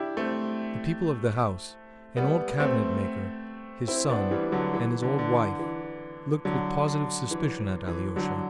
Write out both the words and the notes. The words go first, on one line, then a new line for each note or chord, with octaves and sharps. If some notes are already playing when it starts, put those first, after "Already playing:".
The people of the house, an old cabinet-maker, his son, and his old wife, looked with positive suspicion at Alyosha.
Already playing: D4 E4 G4
A3 C4
G3 B3
A3 C4
C4 E4
B3 D4
E3 G3
D3 F#3
E3
D3
D3
E3
E3
D3 F#3
D3
E3
E3
D3 F#3